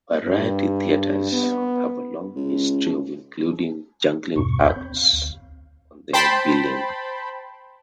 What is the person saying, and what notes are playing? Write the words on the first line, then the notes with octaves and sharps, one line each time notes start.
Variety theatres have a long history of including juggling acts on their billing.
G2
B3
C#2
E2 G2 B2 C#6
D2 C#5 B5 G6
C4
F5
D2
C5 G5 A5 B5 C6